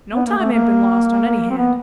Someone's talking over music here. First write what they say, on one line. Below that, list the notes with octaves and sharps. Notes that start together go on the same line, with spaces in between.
No time ain't been lost, on any hand.
B3
A#3
A3
A#3
C4
B3